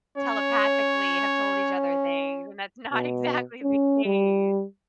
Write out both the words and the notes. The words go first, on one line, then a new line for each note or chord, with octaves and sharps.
telepathically have told each other things, and that's not exactly the case.
C#4 C#5
B2
C#4
G3